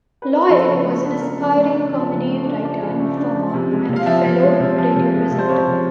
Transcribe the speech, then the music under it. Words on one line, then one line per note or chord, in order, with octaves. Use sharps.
Lloyd was an aspiring comedy writer and performer, and a fellow radio presenter.
B4
A#4
F3 A4
C#3
A3
D4
F3 A#4
C#3
A3
D4
F3
C#3
A3
D4
F3 D5
C#3
A3
D4
F3
C3
G#3
C3
F5
F3 E5
C3
G#3
C3
F3
C3
G#3
C3
C5
F3 C#5
C3